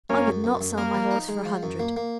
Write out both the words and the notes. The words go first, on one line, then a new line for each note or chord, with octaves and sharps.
I would not sell my horse for a hundred.
F#2 A#3 C#4
F#2
F#2
F#2
A#3 A#4
F3
D#4
G#3
F3
F#2
A#3
A#3